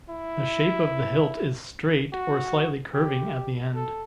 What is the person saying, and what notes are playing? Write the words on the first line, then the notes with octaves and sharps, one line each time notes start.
The shape of the hilt is straight or slightly curving at the end.
E4
F#4
G4
A4